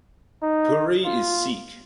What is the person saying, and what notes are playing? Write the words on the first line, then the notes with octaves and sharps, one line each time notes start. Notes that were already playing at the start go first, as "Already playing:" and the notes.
Puri is Sikh.
D#4
F4